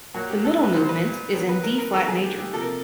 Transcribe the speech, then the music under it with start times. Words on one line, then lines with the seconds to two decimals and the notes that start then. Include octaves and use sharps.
The middle movement is in D-flat major.
0.14 A#2 F#3 A#3 F#4
0.29 G4
0.44 A4
0.63 B4
0.74 A#2 G3 B3 C5
0.85 C5
0.89 B4
1.34 D#3 F#3 B3
1.49 B4
1.63 A#4
1.78 A#4
1.93 D#3 G3 B3 A4
2.08 G#4
2.24 G4
2.38 G4
2.53 C3 F3 A#3 A4
2.61 A#4